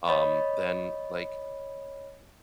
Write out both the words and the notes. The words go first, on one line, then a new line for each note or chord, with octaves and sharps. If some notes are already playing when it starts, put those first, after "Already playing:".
um, then, like
C#5 D#5 B5